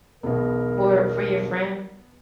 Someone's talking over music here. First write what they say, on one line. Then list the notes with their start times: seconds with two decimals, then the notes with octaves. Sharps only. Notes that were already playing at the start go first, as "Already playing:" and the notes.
for for your friend.
0.23 E1 B1 B3 A#4